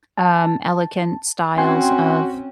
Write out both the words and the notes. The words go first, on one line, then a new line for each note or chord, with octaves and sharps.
um, elegant styles of
A5
C4 C#4 F#4 G5 G#5 C6